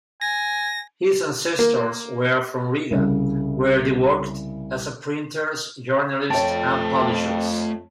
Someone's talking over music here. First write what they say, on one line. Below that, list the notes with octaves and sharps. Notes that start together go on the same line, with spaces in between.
His ancestors were from Riga, where they worked as printers, journalists and publishers.
G#5 A#6
A#3
C2 C#3
F2 A3 C#5 G5 A5